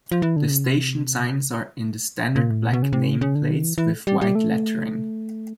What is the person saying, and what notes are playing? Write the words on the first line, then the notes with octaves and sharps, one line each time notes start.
The station signs are in the standard black name plates with white lettering.
F3
E3
D3
C#3
C3
A#2
A2
A#2
B2
C#3
C3
C#3
C#3
D3
D#3
E3
E3
G3
G3
A3